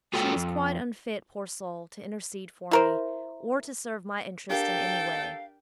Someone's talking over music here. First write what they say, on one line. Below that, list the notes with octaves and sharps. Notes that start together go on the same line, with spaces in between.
She was quite unfit, poor soul, to intercede for me, or to serve my interests in any way.
G#3 A#3 F4 F#4 A4 G5
F2
E4 A#4 C5
D4 G4 A4 A#4 F5 G5